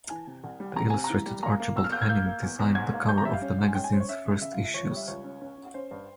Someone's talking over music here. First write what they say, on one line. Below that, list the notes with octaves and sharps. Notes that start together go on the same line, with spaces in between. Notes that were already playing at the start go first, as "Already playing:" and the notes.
The illustrator Archibald Henning designed the cover of the magazine's first issues.
E3 G#5
C3
C2
G3
C3 A#5
C3 G#5
A#5
E3
G3
A#3 A#5
A#3
E2 E6
F6
A#3 G6
G#6
A#3 G6
A#3
E2
E2
G#2 G#6
A#3
G3 G6
A#5
G3 E5
F5
C#4
G#2
G#5
C#4 G5
G#5
C#4 C5
C#5
C#4 E5
C#3
C#3 E5
F5
C#2
E5
C#2 C#5
G3 C#5
E5
C#2 C#5
C#4
C#4
C#4
C#4 C5
G2